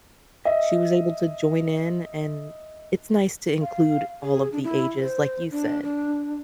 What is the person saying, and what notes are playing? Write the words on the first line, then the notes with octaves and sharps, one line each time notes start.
She was able to join in, and it's nice to include all of the ages, like you said,
D#5 E5
F5
G#4
D4
E4
C5
D4
D4